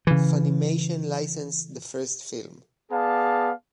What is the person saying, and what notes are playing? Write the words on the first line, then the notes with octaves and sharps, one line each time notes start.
Funimation licensed the first film.
C#3 E3
B3 G#4 D5 F5 A5